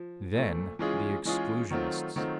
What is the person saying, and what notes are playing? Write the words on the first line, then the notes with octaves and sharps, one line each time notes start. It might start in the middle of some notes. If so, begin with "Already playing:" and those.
Then the exclusionists.
Already playing: F3
A#2 F3 A3
E3 G#3 C#4 F4 G#4
E3 G#3 C#4 F4 G#4
D#3 F#3 A3 C4 F4
D#3 F#3 A3 C4 F4